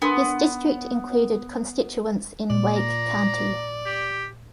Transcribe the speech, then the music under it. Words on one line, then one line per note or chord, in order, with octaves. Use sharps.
His district included constituents in Wake County.
B3 D4 A#4 C6
A#2 D5
A#5
G4